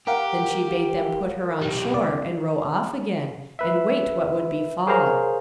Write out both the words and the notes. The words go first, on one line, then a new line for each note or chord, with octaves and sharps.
Then she bade them put her on shore, and row off again, and wait what would befall.
G4 A#4 F5 F#5
B1 G3
C2 D5
B4 E5
G#4 A#4 C5 C#5 F5 A#5